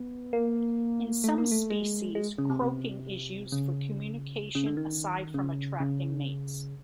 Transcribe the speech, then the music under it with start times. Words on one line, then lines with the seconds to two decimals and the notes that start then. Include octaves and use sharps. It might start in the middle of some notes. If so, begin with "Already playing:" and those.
In some species, croaking is used for communication aside from attracting mates.
Already playing: B3
0.33 A#3
1.24 A3
1.38 A#3
1.52 A3
1.70 G#3
2.15 G#3
2.38 C#3
2.50 C3
2.62 C3
3.52 C#3
4.55 C#3
4.66 D3
4.77 D#3
5.34 C#3
5.80 C#3